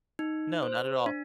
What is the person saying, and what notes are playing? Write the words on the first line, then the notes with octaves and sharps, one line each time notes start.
No. Not at all.
D#4
C5
D4